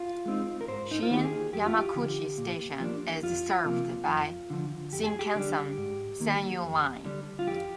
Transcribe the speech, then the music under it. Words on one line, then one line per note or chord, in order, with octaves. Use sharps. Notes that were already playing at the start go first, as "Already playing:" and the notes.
Shin-Yamaguchi Station is served by the Shinkansen Sanyō line.
Already playing: F4
G#3 C4 D#4
A#4
G#2 C5
D#4
F4
D#3 A#3 D#4 G4
G#4
F2 G4
F4
G4
D3 F3
A#2
F3 A#3 D4
F2 F4
C3 F3 A#3
F2
D3 F3
F2 G4
G#4
G4
D3 G3 D4
G#2
D#3 A#3
F2
D3 G3 D4
F4
F2 G4